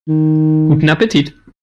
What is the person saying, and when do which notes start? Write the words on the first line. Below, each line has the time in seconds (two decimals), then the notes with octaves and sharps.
Guten Appetit!
0.09 D#3